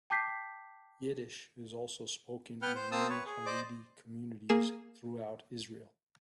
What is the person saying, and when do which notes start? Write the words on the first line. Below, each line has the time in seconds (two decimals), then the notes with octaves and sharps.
Yiddish is also spoken in many Haredi communities throughout Israel.
0.10 G5 A5 D6 G6 B6 C7
2.62 B3 B4 F#5 G5 F6
2.75 C5
2.92 A#3 C4 C5 A5 D#6 E6
3.09 B4 C#5
3.26 G#4
3.46 C5 D5 D#5 D6
4.49 A#3 G#4 E7